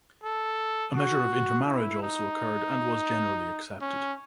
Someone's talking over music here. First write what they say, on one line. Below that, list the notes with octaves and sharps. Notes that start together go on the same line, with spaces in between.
A measure of intermarriage also occurred and was generally accepted.
A4
F#4
E4
D#4
C#4